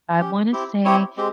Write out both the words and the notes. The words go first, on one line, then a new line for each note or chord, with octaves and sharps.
I wanna say,
C#4 G4
C4 E4 G4
C4 E4 G4 C#5
G#3 C4 G4